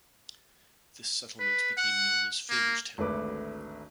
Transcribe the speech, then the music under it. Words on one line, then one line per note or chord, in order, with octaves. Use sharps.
This settlement became known as Faberstown.
B4
F#5
A#3
G#1 D2 A3 B4 D6